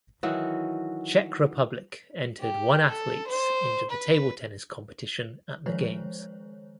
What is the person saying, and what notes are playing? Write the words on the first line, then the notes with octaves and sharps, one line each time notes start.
Czech Republic entered one athletes into the table tennis competition at the games.
D#3 E3 F#3 F#4
G4
A4
C5
B4
D#3 F3 G#3 C5 C#5